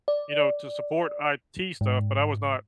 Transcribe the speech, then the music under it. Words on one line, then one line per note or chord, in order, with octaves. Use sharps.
you know, to support IT stuff, but I was not
D5
G#2